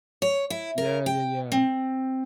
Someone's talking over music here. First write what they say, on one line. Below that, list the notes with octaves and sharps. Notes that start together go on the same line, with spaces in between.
Yeah, yeah, yeah.
C#5
E4
A#4
G5
C4